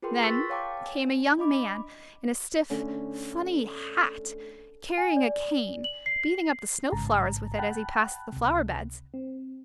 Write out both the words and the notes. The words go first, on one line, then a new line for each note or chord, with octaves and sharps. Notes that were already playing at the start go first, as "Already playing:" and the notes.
Then came a young man in a stiff, funny hat, carrying a cane, beating up the snow flowers with it as he passed the flower beds.
F4 G#4 A#4 B4 G5 C6
C6 C#6 E6 F#6 A6 B6
C#5 F5 G5 A5 D6
G#5
D4 D#5 B5 D6
D3 A3 C#4
G#5
D5
F#7
C7
A1 G#2 C#3 A5 A#5
F#5 G5 A5 B5 F#6
C#2 C3
C4